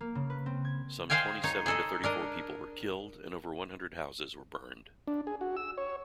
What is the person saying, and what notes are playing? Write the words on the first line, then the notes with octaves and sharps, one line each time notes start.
Some twenty-seven to thirty-four people were killed and over one hundred houses were burned.
A#3
C#3
B4
C4
G#6
G#4 C5 D#5 F5 G5 G#5
D#4 C#5
G#4 A4 D#5
D4 A#4 D#5
D4
G#4
F#4
E6
C#5